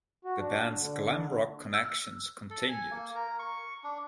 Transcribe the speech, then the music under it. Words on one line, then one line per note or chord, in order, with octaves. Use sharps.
The band's glam rock connections continued.
F#4
D4
D3
E6
A4
G#5
A#3
A#4
C#6
D4